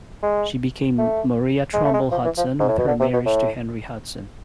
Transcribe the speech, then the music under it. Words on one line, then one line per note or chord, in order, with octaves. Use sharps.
She became Maria Trumbull Hudson with her marriage to Henry Hudson.
G#3
A3
G#3
A3
G#3
F3
E3
F3
G#2
A2
B2
D3
C3
B2
A2